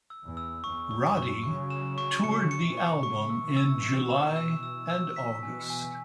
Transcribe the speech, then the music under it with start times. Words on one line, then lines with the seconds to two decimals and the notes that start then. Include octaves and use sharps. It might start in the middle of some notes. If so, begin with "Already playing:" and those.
Roddy toured the album in July and August.
0.10 E6
0.24 E2
0.37 E6
0.64 E2 C#6
0.91 C#6
1.05 F#2
1.17 C#6
1.44 C#3 F#3 C#6
1.70 E7
1.98 C#6
2.23 C#3 F#3 C#7
2.51 C#7
2.64 B2 E3
2.77 C#6
3.03 G#2 C#3 C#6
3.30 E6
3.44 B2 E3
3.57 E6
3.83 E7
4.10 E7
4.36 E6
4.63 E6
4.90 E6
5.16 B6
5.42 B2 E3 G#5
5.70 G#5